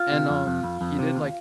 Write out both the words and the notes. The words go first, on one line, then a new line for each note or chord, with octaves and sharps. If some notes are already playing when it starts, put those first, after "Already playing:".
And, um, he did like
Already playing: F4
C3
F2
F2
F2
F2
C3
D#2